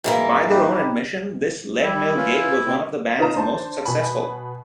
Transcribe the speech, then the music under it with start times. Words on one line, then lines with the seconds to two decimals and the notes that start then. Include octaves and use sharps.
By their own admission this Leadmill gig was one of the band's most successful.
0.04 G#2 E3 F#3 A#3
0.51 D#4 G4 B4
1.83 G3 E4
2.17 C#4 F4 B4
2.35 E4
2.66 C3 C4
3.19 D#4 F4 B4 D#5 A#5 E7
3.35 D4 C5 A5
3.85 B2 G#5 B5